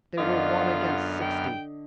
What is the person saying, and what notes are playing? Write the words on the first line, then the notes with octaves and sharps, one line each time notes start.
They were one against sixty.
F#2 D3 B3 F4 D#5 F6
G5